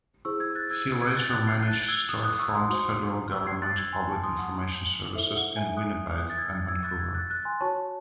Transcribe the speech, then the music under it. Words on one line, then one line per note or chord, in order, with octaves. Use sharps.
He later managed store-front Federal government public information services in Winnipeg and Vancouver.
E4 G#4 C5 C#6 E6
E6 G#6
F#6 A6
E6 G#6
E6 G#6
F#6 A6
F#6 A6
G#6 C7
C7
F#6 A6
E6 G#6
D#6 F#6
D#6 F#6
C#6 E6
C6 D#6
F#4 C5 C6 D#6
C#6 E6
G#6 C7
F#6 A6
E6 G#6
G#5 C6
A5 C#6
C6 D#6
F#5
E4 A4 C5 E5
F#5
E5 G#5
D#6 F#6
D#6 F#6
A6
E6 G#6
E6 G#6
F#6 A6
E6 G#6
F#6 A6
F#6 A6
G#5 C6
F#4 C#5 A5 C#6